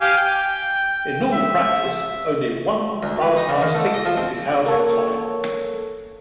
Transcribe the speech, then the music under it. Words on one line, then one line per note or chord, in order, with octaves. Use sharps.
In normal practice, only one Fastpass ticket can be held at a time.
G4 F5 G#5
G5
E5
D2
B4
D#4
C#3
D#3
A3
D#5
F3
C4
A#3 A4 C#5